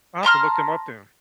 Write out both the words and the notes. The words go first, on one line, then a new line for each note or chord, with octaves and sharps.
I'll have to look them up, then.
A5 A#5 C6 F6